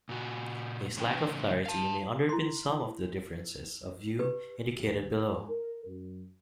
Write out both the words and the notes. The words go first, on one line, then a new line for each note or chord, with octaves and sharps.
This lack of clarity may underpin some of the differences of view indicated below.
A#2 F#4
A2 C#3 E3 D4 A#4 G5
F5 A5
E4 C6
G4 B4
D#2
G#2
A#4
F#2